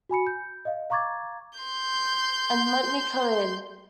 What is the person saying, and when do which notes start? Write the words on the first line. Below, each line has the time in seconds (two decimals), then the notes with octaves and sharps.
And let me come in.
0.09 F#4 G#5 B5 C#7
0.27 G6
0.65 D#5 F5
0.90 F5 A#5 C#6 D6 G#6 A6
1.59 C6 G6